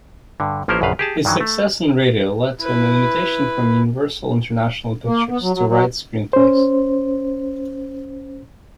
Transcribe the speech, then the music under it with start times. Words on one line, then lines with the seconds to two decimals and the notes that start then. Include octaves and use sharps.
His success in radio led to an invitation from Universal-International Pictures to write screenplays.
0.40 G2 D3
0.68 A1 F3 A#3 C#4 A#4 C5
0.81 A#1 F#2 C#3 B4 F5
0.99 G4 G#4 A5
1.25 G2 D#3 E3 F#3
1.40 A3
2.61 E4 B4
5.06 A#3
5.29 B3
5.42 F#3
5.53 F#3
5.68 F#3
6.33 C#4 C5